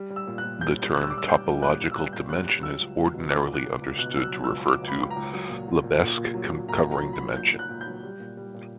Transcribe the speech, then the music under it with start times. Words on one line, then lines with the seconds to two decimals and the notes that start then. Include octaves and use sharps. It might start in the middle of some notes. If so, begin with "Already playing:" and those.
The term "topological dimension" is ordinarily understood to refer to Lebesgue covering dimension.
Already playing: G3
0.10 G3
0.16 E6
0.27 A#2
0.38 F#6
0.44 A#2
0.61 G3 G6
0.77 G3
0.95 G3 F#6
1.03 E6
1.10 G3 D6
1.18 E6
1.28 G3 G6
1.46 G3
1.62 A#2 F#6
1.80 G3
1.91 E6
1.96 G3 F#6
2.13 A#2 G6
2.30 G3 F#6
2.46 G3 F#6
2.63 F#3 E6
2.81 C#2
2.98 C#2
3.14 B2
3.31 C#2 D6
3.48 C#2
3.54 F#6
3.65 C#2
3.82 C#2
3.99 B2 F#6
4.15 F#3 E6
4.21 F#6
4.32 F#3
4.44 E6
4.50 C#2
4.66 F#3 D6
4.83 C#2 B5
5.00 C#2
5.11 A#5
5.16 C#2
5.33 F#3
5.50 A#2
5.68 F#3
5.84 A#2
6.01 A#2
6.17 A#2
6.34 F#3
6.51 A#2
6.68 A#2 A#5
6.86 A#2
6.92 A#5
7.02 F#3
7.13 B5
7.19 F#3
7.36 A#2 G6
7.53 F#3
7.59 F#6
7.69 A#2
7.81 G6
7.87 F#3
8.03 G3
8.20 A#2
8.37 G3
8.54 A#2